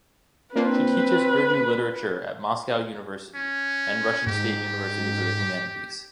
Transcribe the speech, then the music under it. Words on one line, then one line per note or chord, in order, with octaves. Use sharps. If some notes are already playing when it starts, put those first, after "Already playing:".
She teaches Urdu literature at Moscow University and Russian State University for the Humanities.
A#3 C4 D4 F4 B4
C#4
G#2 G4